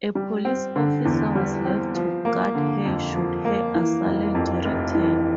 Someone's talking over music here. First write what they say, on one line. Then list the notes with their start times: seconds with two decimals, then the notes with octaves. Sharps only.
A police officer was left to guard her, should her assailant return.
0.15 G3
0.45 C4
0.76 D3
1.05 E2
1.35 G3
1.65 C4
1.95 F3
2.25 A#3
2.55 D3
2.85 F2
3.14 F3
3.45 A#3
3.75 E3
4.05 F1
4.35 F2
4.65 F1
4.94 E3